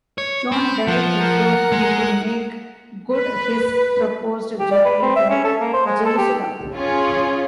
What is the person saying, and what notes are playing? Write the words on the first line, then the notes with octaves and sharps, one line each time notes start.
John died before he could make good his proposed journey to Jerusalem.
C#5
C4 B5
F3 F#5
A#4
G#3
B4
G4
D5
B4
C4
E5
C#4
A4
A#3
C5
G#3
A4
G4
C#4 F4 G#4 C#5